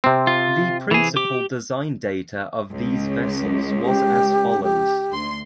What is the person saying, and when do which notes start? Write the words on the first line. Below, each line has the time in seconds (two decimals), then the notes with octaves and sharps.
The principal design data of these vessels was as follows.
0.04 C3 C4
0.27 F4
0.91 E3 G#4
1.16 G4 D6
2.72 C#2
3.85 G4
4.63 G4
5.10 D2 C6